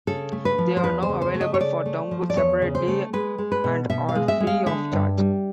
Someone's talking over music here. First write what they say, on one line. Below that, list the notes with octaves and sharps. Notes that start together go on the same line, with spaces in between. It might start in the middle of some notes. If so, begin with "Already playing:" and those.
They are now available for download separately and are free of charge.
C#3 A4
A3
B4
F3
C5
E2 B4
C5
C#3
C5
A3
D#5
C#5
C#3 D5
A3
F3
D5
E2 C#5
C#3
C5
A3
G#3 B4
G#3
B4
B2
B2 E5
F5
G#3
E5
G#3
F5
D3 E5
G2
G3